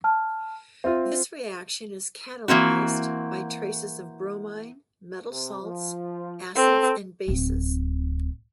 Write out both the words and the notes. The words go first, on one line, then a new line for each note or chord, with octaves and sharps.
This reaction is catalyzed by traces of bromine, metal salts, acids and bases.
A5 F6
C4 F4 E5
E3 A#3 C4 F#4
C3
F3
C4 A4
D1 C4